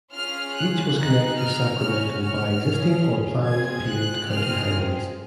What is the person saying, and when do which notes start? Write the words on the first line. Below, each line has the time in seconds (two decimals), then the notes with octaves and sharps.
Each was connected to Sacramento by existing or planned paved county highways.
0.13 C#4 F4 G#4 F6
0.55 F#6
0.96 C4 D#4 G#4 F#6
1.38 F6
1.79 C#4 F#4 F6
2.22 F6
2.63 C#4 G#4
3.46 C4 F4 G#4 G#6
3.87 F#6
4.29 C4 F4 G#4 F6